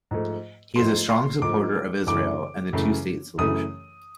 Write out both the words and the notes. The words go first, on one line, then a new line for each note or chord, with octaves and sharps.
He is a strong supporter of Israel and the two-state solution.
G#2 F3 A3
G#2 F3 A3 C6
C6
G#2 F3 A3 D6
F#2 C#3 E3 A3 D6
F#2 C#3 E3 A3
F#2 C#3 E3 A3 D#6